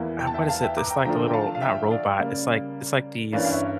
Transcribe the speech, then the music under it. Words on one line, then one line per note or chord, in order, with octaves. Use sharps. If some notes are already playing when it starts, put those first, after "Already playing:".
uh, what is it? It's like the little not robot, it's, like it's, like, these,
Already playing: E2 E3 A#3 E4
G5
A5
E5 G5
F5 A5
E5 G5
A#5 D6
G5 A#5
D3 F3 A3 D4 F4 G5 A#5
G5
F5 A5
F5
E5 G5
D5 F5
C#3 G3 A#3
G2 E3 A#3 C#4 D5 F5
F5
C#5 E5